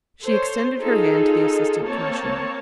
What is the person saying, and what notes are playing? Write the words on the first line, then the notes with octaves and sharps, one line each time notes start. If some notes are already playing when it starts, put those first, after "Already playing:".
She extended her hand to the Assistant Commissioner.
A4 C5 C#5
D#4 F4 G#4 A4
A#3 C4 C#5 A5